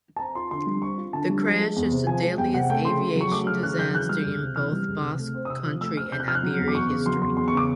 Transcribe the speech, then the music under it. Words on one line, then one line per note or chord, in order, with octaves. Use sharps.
The crash is the deadliest aviation disaster in both Basque Country and Iberia history.
A5
C4 A#5
F4 C6
D3 C6
G3
C4 C#6
F4
D3 A5
G3
F3
G#3
E2
C3
F3 G#5
G#3
E2 G5
C3 F#5
A3 G5
C#3 C6
C#3
F#3
C#6
A3 D6
C#3 F6
C#3 F#6
F#3 G6
E3 F#6
G3 F6
C#2
C3
E3 F6
G3
C#2
C3
A3
C4
D#6
C3 E6
F3
A3 E6
C4 F6
C3 G6
F#6
F3 F6
F#6
F#3
E2
D6
E2 C#6
C#3
F#3 C6
E2 C6
E2 C6
C#6
C#3
D6